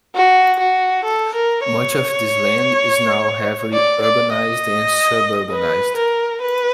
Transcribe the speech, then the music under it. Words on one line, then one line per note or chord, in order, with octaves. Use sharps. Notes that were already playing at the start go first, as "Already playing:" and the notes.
Much of this land is now heavily urbanized and suburbanized.
F#4
F#4
A4
A#4
C#5
D5
D5
D#5
B4
A#4
B4